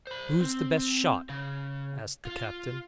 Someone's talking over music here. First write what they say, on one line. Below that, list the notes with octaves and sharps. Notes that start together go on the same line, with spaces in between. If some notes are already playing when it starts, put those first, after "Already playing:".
"Who's the best shot?" asked the captain.
C5 B5
C4
C#3
F4